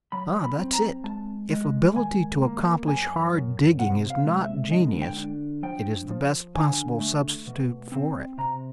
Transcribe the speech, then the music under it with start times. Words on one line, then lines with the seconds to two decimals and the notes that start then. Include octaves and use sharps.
Ah, that's it; if ability to accomplish hard 'digging' is not genius, it is the best possible substitute for it.
0.12 F#3 B5
0.44 B5
0.58 C4
0.73 A#5
1.04 G#3 A5
1.50 G#3
1.96 D#3 G#5
2.41 A#3
2.87 F#2 G#5
3.33 F#2
3.79 C3 F#5
4.10 F5
4.25 G#3
4.41 E5
4.71 D3 D#5
5.02 G5
5.17 D4
5.63 F3 G5
6.09 F3
6.55 D3 G#5
7.00 A3
7.47 B2
7.92 C4
8.38 C3 A#5